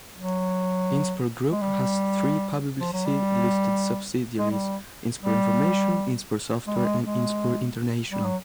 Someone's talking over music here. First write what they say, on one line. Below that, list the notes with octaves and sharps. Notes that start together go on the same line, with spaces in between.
Inspur Group has three publicly listed subsidiaries: Inspur Information, Inspur Software and Inspur International.
F#3
G#3
G3
F3
F#3
G3
G#3
G3
G3
G#3
G3
G#3
G#3
G3
F#3